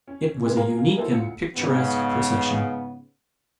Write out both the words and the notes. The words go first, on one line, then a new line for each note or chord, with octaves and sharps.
It was a unique and picturesque procession.
C#4
C3 G#3 A#3 B3
G#4 A#4 F5 A#5
A#3 D#4 E4 F#4 A4 C5
D2 F4 C#7
G#2 C#3 B3